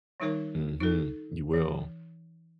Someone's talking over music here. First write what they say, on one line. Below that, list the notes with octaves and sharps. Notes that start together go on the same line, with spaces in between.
Mhm. You will.
D#3 G3 D#4 A#4 C#5
D#4 A4
E3